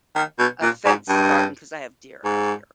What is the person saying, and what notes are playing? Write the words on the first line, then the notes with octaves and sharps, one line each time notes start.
a fence garden, 'cause I have deer out here.
D#3
B2
A#2
G#2
G2
G#2